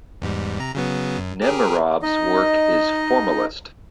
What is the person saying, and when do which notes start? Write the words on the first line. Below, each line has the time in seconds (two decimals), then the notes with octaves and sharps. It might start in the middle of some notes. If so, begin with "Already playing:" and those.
Nemerov's work is formalist.
0.22 E2 G#2 G3
0.59 C3 A#5
0.75 C#3 F#3 B3
1.18 F#2
1.42 G4 G#4 A#4
2.03 D#4 D#5